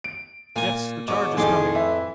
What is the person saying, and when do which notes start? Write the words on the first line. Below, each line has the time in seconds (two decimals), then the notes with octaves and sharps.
Yes, the charge is coming.
0.04 D7
0.56 A#2 A#3 G#5
1.08 G#2 B2 C#5 C#6 D6
1.37 F2 A2 D#3 G#4 C6 D6
1.75 E3 E5